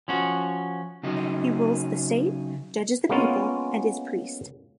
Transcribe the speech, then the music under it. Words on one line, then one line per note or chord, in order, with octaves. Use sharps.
He rules the state, judges the people, and is priest.
F3 C#4 F#4
C#3 F#3 D#4
G#3 A#3 B3 C#4 F4